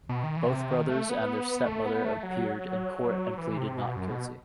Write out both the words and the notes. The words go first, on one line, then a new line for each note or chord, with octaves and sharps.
Both brothers and their stepmother appeared in court and pleaded "not guilty".
B2
D#3
E3
B2
C3
D#3
A3
B3
A3
B3
A3
F#3
E3
C3
B2
F#2
B2